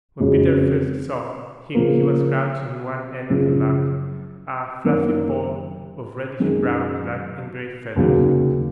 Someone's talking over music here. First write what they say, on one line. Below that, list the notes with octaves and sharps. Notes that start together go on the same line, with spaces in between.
When Peter first saw him he was crouched on one end of the log, a fluffy ball of reddish-brown, black and gray feathers.
F2 C#3 G#3 C#4 F#4
C#3 F3 A#3
F#2 C#3 F3
F#2 D#3 A#3 C#4
F#2 D#3 G#3
F1 D#2 C#3 F#3